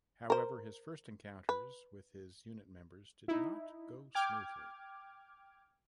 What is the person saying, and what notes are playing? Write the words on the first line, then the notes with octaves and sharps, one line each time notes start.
However, his first encounters with his unit members did not go smoothly.
A#4 C5
B4
D#4 E4
G5 D6 F6 G#6